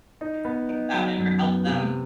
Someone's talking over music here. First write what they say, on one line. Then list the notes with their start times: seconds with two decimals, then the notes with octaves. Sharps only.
do something about it or help them.
0.21 D#4
0.45 B3
0.69 D#4
0.93 F#3
1.17 F#2
1.42 B3
1.67 C3